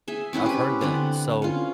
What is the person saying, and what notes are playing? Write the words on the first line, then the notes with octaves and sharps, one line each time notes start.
I've heard that, so,
G#4 E5
C4 C#4 E4 B4
G4 B4
D3 B3 C4
C#4 F4